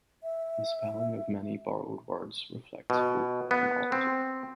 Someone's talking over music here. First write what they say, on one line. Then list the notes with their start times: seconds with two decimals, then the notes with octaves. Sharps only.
The spelling of many borrowed words reflects folk etymology.
0.23 E5
2.90 B2
3.51 B3
3.92 C4